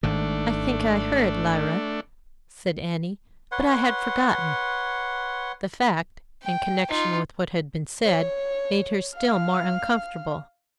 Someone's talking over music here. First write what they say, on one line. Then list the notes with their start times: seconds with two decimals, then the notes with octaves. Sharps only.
"I think I heard, Lyra," said Annie; "but I had forgotten." The fact, in connection with what had been said, made her still more uncomfortable.
0.03 G#1 G#2 D#3 A3 D4
3.52 B4 C#5 F#5 C6
6.43 G5
6.89 D#4 F4
8.05 C#5
9.15 F5 F6